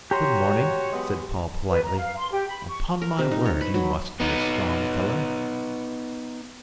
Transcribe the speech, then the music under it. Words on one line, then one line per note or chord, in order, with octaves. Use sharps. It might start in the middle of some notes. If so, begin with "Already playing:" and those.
'Good morning,' said Paul politely; 'upon my word, you must be a strong fellow!'
F#4 G4 C#5 A#5 C6
F#3 G#3 B3
B4
A#5
F5
C6
G4
B5
C#6
A#4
C3
D#4
C#5
B4
F#3
B3 D#4